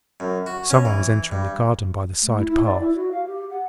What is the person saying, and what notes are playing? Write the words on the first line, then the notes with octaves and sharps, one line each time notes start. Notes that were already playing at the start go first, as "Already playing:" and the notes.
Someone was entering the garden by the side path.
F#2
F#4
C#4
E3
G2
A3
E4
E4
D5
E4
F#4
F5
G4
F#5